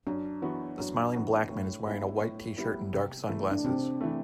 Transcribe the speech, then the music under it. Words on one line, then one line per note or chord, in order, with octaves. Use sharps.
The smiling black man is wearing a white tshirt and dark sunglasses.
F#2 D4
E3 B3 F#4
F#2 D4
E3 B3 F#4
A2
G3 B3 E4 G4
A2
G3 B3 E4 G4
C3
E3 A3
D4
C3 C4
E3 A3